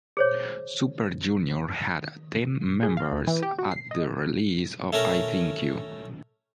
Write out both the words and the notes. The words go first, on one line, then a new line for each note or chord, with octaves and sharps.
Super Junior had ten members at the release of "I Think U".
G#4 C5 C#5
G#4
F5
D2
E3
G4
F#4
C7
D#5
A3 C#4 A#4